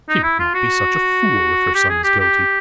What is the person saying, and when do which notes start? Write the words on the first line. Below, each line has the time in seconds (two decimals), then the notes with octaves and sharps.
"She would not be such a fool, if her son is guilty."
0.09 D#4
0.23 E4
0.39 F4
0.54 F#4
1.74 G4
1.90 G#4
2.04 G4
2.20 G4